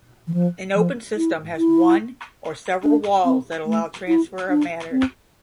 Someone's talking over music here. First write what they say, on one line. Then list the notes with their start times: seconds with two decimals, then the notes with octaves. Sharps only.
An open system has one or several walls that allow transfer of matter.
0.27 E3
0.34 F3
0.75 F3
1.17 E4
1.58 E4
2.84 D4
3.25 C4
3.66 A3
4.08 E4
4.49 D4
4.92 C4